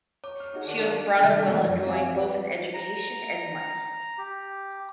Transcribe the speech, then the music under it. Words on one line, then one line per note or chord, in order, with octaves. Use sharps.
She was brought up well enjoying both an education and money.
C#5 D6
F6
D#4 F#4 G#4
D#3 D4
A4 F5
C3 D#3 G3 D4 A4
E3 G#3 A3 B3
F#2 F3 F#3
C4 G4 E5 F5 G#5 D6
B4 F#5
A#5
G4